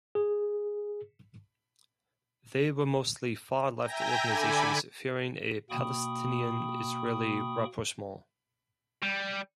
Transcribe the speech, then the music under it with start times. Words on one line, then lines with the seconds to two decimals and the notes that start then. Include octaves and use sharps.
They were mostly far-left organizations fearing a Palestinian-Israeli rapprochement.
0.15 G#4
3.81 E5 G5 G#5 A#5 G6 A#6
4.26 D3 A4 G#5 B5 D6
5.70 B2 A#3 G5 B5 C#6 D#6
9.03 G3